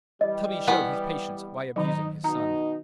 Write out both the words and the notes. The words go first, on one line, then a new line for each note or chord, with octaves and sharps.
Tubby showed his patience by abusing his son.
E3 G3 D#5
B3 E4 F#5 G#5
D#3 F#3 D#4
B2 D#4 A#5